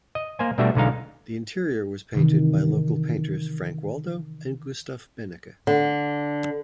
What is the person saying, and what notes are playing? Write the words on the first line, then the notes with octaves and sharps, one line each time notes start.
The interior was painted by local painters Frank Waldo and Gustav Behncke.
D#5
A#3 C5 G#5
B2 G3 A3 D4 F#4 E5
B1 D3 G#3 D#4 F5
C3 D#3 E3
D3